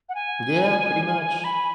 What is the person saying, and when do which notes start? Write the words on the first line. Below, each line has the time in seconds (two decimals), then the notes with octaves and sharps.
Yeah. Pretty much.
0.09 F#5
0.15 G#5
1.44 B5